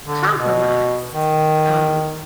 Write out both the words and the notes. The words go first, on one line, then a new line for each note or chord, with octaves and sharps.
compromised, um,
D3
B2
D#3